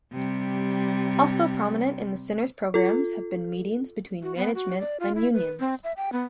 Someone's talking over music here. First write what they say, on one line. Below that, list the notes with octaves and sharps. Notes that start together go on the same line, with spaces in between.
Also prominent in the center's programs have been meetings between management and unions.
C3 G3
F4 A4
F#4
B3
F#4
D5
F4
E4
B4
C4
E5
G5
B3